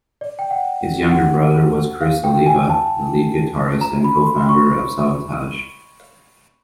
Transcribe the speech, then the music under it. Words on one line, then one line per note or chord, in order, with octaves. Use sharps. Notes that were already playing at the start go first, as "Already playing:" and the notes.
His younger brother was Criss Oliva, the lead guitarist and co-founder of Savatage.
D5
G5
F#5
F#5
F5
G5
G#5
A5
A#5
B5
C6
C#6